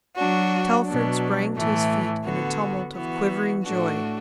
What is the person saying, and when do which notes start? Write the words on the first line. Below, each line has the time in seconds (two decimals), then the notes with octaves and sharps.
Telford sprang to his feet in a tumult of quivering joy.
0.16 F#3 D4 F#4
0.86 B2 F#3 D4
1.55 A2 E3 A3
2.24 D3 B3 F#4
2.94 E3 B3 F#4
3.63 A2 A3 D4 F#4